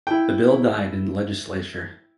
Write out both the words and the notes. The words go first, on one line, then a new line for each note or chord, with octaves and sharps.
The bill died in the Legislature.
E4 G5